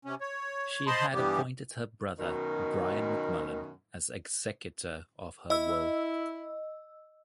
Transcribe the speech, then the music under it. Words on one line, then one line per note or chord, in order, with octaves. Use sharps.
She had appointed her brother, Brian McMullen, as executor of her will.
C3 C#4
C#5
C5 D#5 A5 B5 C6
G2 E3 G3 B3 G4
F#2 B2 D#3
E4 D#5 E6